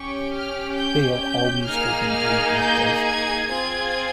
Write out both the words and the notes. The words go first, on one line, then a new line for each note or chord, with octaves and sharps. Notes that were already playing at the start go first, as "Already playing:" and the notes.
They are always open and active.
Already playing: C#4 G4 C#6
F6
G6
G6
A#3 D#4 G#4 F6
F6
G6
G#6
C4 F4 G#4 G#6